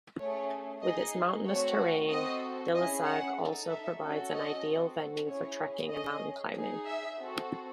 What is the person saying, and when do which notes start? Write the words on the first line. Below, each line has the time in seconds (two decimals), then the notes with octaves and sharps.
With its mountainous terrain, Dilasag also provides an ideal venue for trekking and mountain-climbing.
0.18 A3 C#4 G#4 C#5
0.82 D#4 G#4 D#5
1.46 A3 C4 F#4 C#5
2.09 C4 F#4 A4 D#5
2.73 C#4 E4 G#4 D#5
3.05 F#5
3.37 D#4 A4
3.68 E5
4.00 C#4 F#4 A4
4.32 D#5
4.64 C4 F#4 A4
5.27 C#4 E4 G#4 C#5
5.90 C#4 G#4 D#5
6.55 D#4 G#4
6.86 E5
7.18 C4 F#4 A4